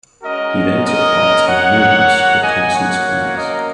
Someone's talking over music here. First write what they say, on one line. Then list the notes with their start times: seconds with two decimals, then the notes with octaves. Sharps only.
He then took part in numerous reconnaissance flights.
0.23 G#3 C#4 F#4 A#4 D#5
0.85 A#4 D#5
1.48 A#3 F#4 C#5 F#5
2.42 D#5 G#5
2.73 A#3 C#4 F#4 C#5 F#5
3.36 A#4 D#5